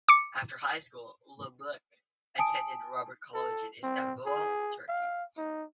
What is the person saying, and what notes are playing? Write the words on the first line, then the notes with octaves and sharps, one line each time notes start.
After high school, Luebke attended Robert College in Istanbul, Turkey.
D6 C#7
G#5 A5 D#6 D7
A4
C4
G#4
F5
D#4